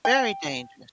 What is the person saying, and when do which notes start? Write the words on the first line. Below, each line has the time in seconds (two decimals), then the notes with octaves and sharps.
Very dangerous.
0.05 G5